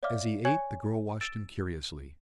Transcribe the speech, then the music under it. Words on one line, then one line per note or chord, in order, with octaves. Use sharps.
As he ate, the girl watched him curiously.
C#5 D5 E5 F5 D6 F6
C#5 G#5 C#6 G#6 C#7 F#7
E6 A6 D7 E7